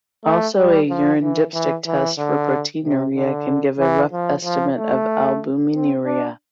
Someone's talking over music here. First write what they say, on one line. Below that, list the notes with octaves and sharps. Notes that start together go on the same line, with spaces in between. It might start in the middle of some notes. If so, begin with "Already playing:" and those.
Also a urine dipstick test for proteinuria can give a rough estimate of albuminuria.
A3
G3
F3
E3
E3
E3
D3
C3
D3
E3
F3
F3
A3
C4
D4